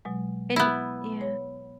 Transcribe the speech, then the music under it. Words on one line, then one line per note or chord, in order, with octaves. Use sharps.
And yeah.
B2 F#3 G#3
B3 E4
C#5